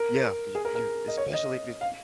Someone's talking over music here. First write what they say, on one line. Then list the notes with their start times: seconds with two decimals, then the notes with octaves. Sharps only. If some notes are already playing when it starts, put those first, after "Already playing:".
Yeah, c you you especially if it's y
Already playing: A#4
0.55 G#4
0.65 A#4
0.75 A#4
1.08 D#5
1.18 C#5
1.33 D#5
1.81 F5